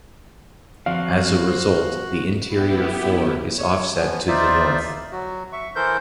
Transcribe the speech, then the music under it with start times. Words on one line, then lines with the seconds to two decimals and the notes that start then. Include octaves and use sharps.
As a result, the interior floor is offset to the north.
0.86 F3 C4 F#4 D5 F5
1.48 C5
2.46 B3 E4 G4
3.58 C#5
3.96 E3 F3 B3
4.28 D#4 F4 C5 D5 E5
5.12 F#3 F#4
5.52 E5 C#6
5.75 E3 A4 A#4 C5 G6